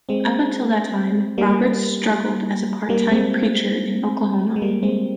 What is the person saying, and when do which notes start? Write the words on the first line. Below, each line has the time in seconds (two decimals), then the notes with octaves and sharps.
Up until that time, Roberts struggled as a part-time preacher in Oklahoma.
0.09 G#3 C4
1.38 G3 A#3
2.89 G3 A#3
3.10 G#3 C4
4.56 G#3
4.62 G3 A#3
4.83 G#3 C4